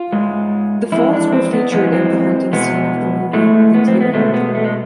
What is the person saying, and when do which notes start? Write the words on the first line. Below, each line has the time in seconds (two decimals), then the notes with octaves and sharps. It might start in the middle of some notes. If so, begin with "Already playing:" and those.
The falls were featured in the hunting scene of the movie "The Deer Hunter".
Already playing: F4
0.12 G#2 G#3
0.92 F2 E3 G#3 E4
1.13 D4
1.32 C4
1.53 B3
1.72 F2 E3 G#3 B3
1.93 C4
2.53 E2 B2 G#3 B3
3.33 A2 G#3 A3
3.74 B3
3.87 C4
4.01 B3
4.13 B2 G#3 A3
4.34 B3
4.54 A3
4.65 G#3